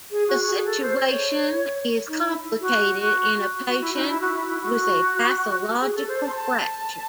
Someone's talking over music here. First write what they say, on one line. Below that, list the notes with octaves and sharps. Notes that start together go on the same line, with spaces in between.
The situation is complicated in a patient with a pathological fracture.
G#4
F#4
G#4
A4
C5
C#5
D#4
E4
F#4
F#4
E4
D#4
E4
F#4
E4
E4
F#4
G#4
A4
C5
A5
C6
A5